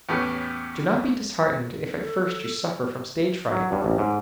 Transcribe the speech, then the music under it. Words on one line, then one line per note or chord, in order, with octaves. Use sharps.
Do not be disheartened if at first you suffer from stage-fright.
E2 A2 A3 C#4 G4 B4
A4
F#3
G2
A1
G#2